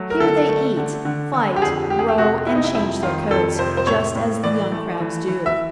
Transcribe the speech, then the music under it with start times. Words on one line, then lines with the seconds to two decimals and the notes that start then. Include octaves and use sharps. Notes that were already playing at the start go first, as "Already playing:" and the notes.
Here they eat, fight, grow and change their coats, just as the young Crabs do.
Already playing: F#3 A3
0.10 A#4
0.20 D3 A4
0.49 A3
0.77 D3
1.05 D3
1.33 D3
1.56 G4
1.61 F2 G#4
1.90 F2 G4
1.99 G#4
2.08 G4
2.18 C3 F#4
2.46 C3 E4
2.55 D#4
2.64 E4
2.74 F2 E4
3.02 D#3 F4
3.31 F2 A4
3.59 C3 C5
3.77 C5
3.87 A2 C#5
4.15 A2
4.44 E3 D5
4.72 A3
5.00 E3
5.28 E3
5.46 E5